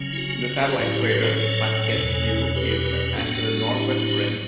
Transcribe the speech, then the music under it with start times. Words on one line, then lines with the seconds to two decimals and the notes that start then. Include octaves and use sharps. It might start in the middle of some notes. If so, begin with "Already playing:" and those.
The satellite crater Plaskett U is attached to the northwest rim.
Already playing: C#3 F#3 C#4
0.13 E4
0.18 F#4
0.57 A4
0.66 G4
0.78 A2 F#3 C#4 E4 F#4
0.93 E4 G4
1.07 G4 B4
1.22 A4 C#5
1.36 A4 C#5
1.96 E2 B2 F#3 C#4
2.47 C#5
2.56 G4 B4
3.11 B4
3.15 A2 F#3 B3 D4 F#4 A4
3.45 F#4 A4
3.75 E4 G4